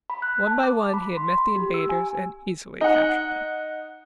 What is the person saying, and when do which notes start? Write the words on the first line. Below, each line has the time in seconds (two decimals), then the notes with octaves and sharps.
One by one he had met the invaders and easily captured them.
0.10 B5
0.22 F#6
0.47 A5
0.63 D6
0.94 B5
1.17 C6
1.38 B5
1.56 G4
1.74 E6
1.89 G#5
2.81 D#4 F#5